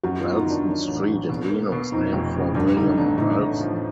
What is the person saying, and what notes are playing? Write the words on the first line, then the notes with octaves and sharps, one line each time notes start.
Ralston Street in Reno is named for William Ralston.
F#2 F#4
F4
B3
D#4
D#3
D4
F#3
A1
A1
B2
A#3
B2
F2 D#4
F1
C#3
G2 D4
D3 D#4
A1 D4
A2 D#4
A2
F3